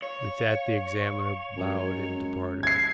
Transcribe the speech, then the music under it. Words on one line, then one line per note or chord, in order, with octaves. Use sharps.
With that the examiner bowed and departed.
C#5 F5
F#2 G#3
G#6 C7